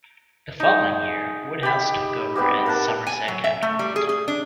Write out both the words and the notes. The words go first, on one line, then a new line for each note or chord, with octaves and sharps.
The following year, Woodhouse took over as Somerset captain full-time.
D#4 G#4
G4 B5
G3 B3 C4 G4
A#4 F#5 A5
G#5
F#3
E5
A3
G3
G#4
G#4
D4